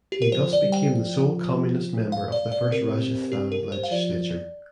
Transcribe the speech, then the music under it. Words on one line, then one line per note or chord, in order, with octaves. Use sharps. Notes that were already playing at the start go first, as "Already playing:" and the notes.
He thus became the sole communist member of the first Rajasthan legislature.
G4
A#4
F3 C5
D5
G3
G5
F3
F5
D5
D5
C3 A#4
G4
A#4
C5
F5
F3 D5